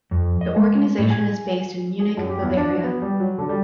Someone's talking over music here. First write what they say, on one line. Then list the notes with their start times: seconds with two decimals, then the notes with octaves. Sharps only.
The organization is based in Munich, Bavaria.
0.11 F2
0.41 D#5
0.56 G#3
0.98 A2
1.10 G#5
2.00 G#4
2.17 F#2
2.29 G4
2.42 E2
2.56 D4
2.71 F#3
2.84 B3
3.02 G3
3.20 F#3
3.38 D3
3.49 G3